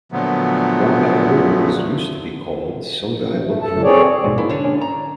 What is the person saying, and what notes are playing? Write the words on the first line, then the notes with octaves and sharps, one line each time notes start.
Gombak River was used to be called Sungai Lumpur.
A#2 D3 F3 F#3 A3 B3
A3
F#2 A4 A5
C4 G#4 C#5 D5
G#2 B2 G#3
A#3 E4
D3 D4 C#5
C#4
A#5